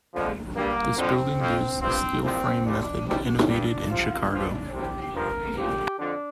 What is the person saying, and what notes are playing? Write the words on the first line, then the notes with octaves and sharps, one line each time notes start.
This building used the steel-frame method, innovated in Chicago.
F2 D3 F3
G2 G3 A#3
F2 D3 F3 C4
F2 F3
G2 F3 C4
C2 A#2 F3 C4
C2 A#2 G3 D4
C2 C3 G3
G2 G3 D4
C2 C3 F3 F4
G2 F3 D4
C2 C3 G3 G4
G2 D3 F3 A#4
C2 A#2 F3 G4
F2 D3 F3 D4